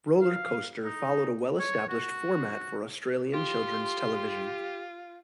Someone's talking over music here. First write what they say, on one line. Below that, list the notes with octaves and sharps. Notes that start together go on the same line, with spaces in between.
"Rollercoaster" followed a well-established format for Australian children's television.
F5
D#4
C#5
F#4
F4 G4 C6